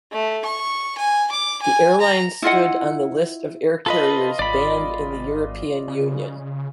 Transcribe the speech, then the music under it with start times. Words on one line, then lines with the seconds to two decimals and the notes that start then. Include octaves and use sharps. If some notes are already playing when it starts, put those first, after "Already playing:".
The airline stood on the List of air carriers banned in the European Union.
0.12 A3
0.45 C#6
0.98 G#5
1.32 D6
1.62 G#5
2.00 A#5
2.42 E4 F4 D#5 F#5
3.86 F4 A4 B4 D#5 B5
4.39 G#1 D5 B5
5.88 C#3